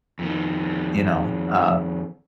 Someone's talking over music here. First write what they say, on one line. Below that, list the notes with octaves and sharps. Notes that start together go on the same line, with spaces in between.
you know, uh
F2 D#3